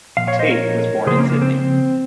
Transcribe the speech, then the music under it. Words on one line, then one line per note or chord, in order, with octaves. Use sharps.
Tate was born in Sydney.
A#2 F3 F5
C#5 F5
C5 D#5
A#4 C#5
C#3 F3 A#3 G#4 C5
A#3 C#4
C4
A#3
C4
C4